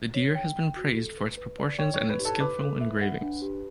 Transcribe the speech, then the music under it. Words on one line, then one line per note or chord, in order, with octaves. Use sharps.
The deer has been praised for its proportions and its skillful engravings.
C#5
G5
G5
F#4
A4
B4
B4
D5
C#5 G5
C#5
E4
B4
G4
A4
B4 D6
A4
E5
F#5
D4
G4